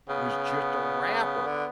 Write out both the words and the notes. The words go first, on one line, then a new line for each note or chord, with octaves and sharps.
was just a wrapper,
C#3 B3
B3
D3